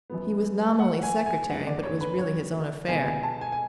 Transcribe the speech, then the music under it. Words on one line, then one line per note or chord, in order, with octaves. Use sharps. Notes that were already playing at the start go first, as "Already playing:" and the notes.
He was nominally secretary, but it was really his own affair.
F#2 F3 B3
F#5
G#5
G#5
F#1 F2 D3 G#3 F#5
D5
C#5
B4
C#5
B1 B2 G#3 B3 G#5
G#5
A5
G#5
G#5